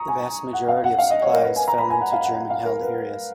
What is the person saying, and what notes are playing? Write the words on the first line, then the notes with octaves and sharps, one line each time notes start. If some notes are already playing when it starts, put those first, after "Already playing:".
The vast majority of supplies fell into German-held areas.
Already playing: A#5 C#6 D#6
G#5
F#5
F5
F#5
F5
D#5
C#5
A#4
B4
G#5
A#5
B5
G#5
F#5
F5
F#5
F#5
F5
A#4
B4